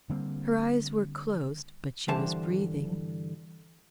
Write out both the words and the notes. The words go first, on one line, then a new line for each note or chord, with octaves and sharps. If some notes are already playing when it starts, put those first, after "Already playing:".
Her eyes were closed, but she was breathing.
D3 G3 A#3 C4
G2 D3 E3 C5 A5